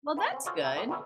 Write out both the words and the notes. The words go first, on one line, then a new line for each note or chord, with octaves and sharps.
Well, that's good.
B3 E4 G#4 C#5
C4 C#4
F4 F#4 A4 C5 C#5 D#5
C#3 E5 F5 G5 A#5
A2 D3 D4 D#5
G1 D#3 B3 C#4 E4